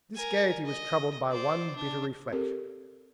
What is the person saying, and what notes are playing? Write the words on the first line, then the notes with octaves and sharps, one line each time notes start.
This gayety was troubled by one bitter reflection.
A#4 G#5
D#5
C5 D5
D4
C4 G4 A4 A#4